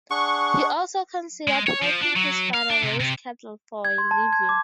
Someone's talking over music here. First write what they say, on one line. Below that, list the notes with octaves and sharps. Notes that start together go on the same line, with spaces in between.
He also considered helping his father raise cattle for a living.
D4 G#4 F#5 C#6
G#3
C#5
F3
D4
F#3
F5
D4
C3
C3
G#6
C6
A5
G#6
D6